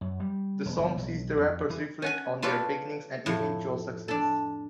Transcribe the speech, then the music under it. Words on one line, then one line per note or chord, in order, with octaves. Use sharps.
The song sees the rappers reflect on their beginnings and eventual successes.
F#2
G3
E1
G1
B1
F2
E3
C#4 F#5 G#5
F4 A4 B4 C#5 D5
F2 A2
D4 A4